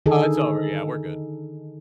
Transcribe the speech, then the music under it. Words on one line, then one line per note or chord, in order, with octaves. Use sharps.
Oh, it's over, yeah, we're good.
D3 D#3 D#4 G#4 A4